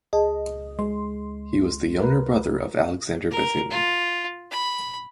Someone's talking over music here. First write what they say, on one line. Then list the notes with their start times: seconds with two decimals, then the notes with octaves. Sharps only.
He was the younger brother of Alexander Bethune.
0.13 C#2 G#4 D#5 A5
0.79 G#3 C6
2.00 A#4 B4
3.31 A#4
3.70 F4
4.51 B5